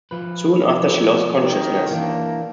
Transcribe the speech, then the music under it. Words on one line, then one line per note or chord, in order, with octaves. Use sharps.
Soon after she lost consciousness.
F3 B4
D#3
E3 A#3 D4